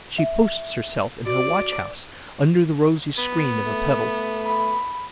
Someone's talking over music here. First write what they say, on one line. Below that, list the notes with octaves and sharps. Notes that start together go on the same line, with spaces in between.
She posts herself in her watch-house, under the rosy screen of a petal.
E5
F#4 D5
B3
A3
B5